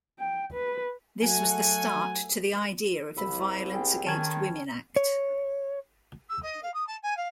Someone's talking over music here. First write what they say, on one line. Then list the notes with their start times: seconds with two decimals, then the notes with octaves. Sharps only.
This was the start to the idea of the Violence Against Women Act.
0.19 G5
0.54 B4
1.22 F#3 A3 F#5 G#5
3.17 C2 E5 B5
3.73 G#4 G5
4.07 D#3 C#4 A5 G#6
4.96 C#5
6.29 E6
6.42 D#5
6.62 F5
6.74 D#6
6.87 A5
7.03 G#5
7.17 F5